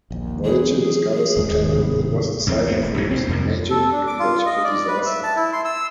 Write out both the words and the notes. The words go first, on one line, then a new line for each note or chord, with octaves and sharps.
"Voyager" discovers a planet that was the site of a recent major ecological disaster.
A#1 D#2
E3 F#3 G#4
D1 D#2 G#2 D#3
C3 G3 B3
A1 E2 C4
A3 B3 C4
D#1
A1 F#2 A2 E3
C2 C4
F2 C3 A#3
A4
D4
D6
F4
D#5
D5
B4
E5
A5
E4
C6
E6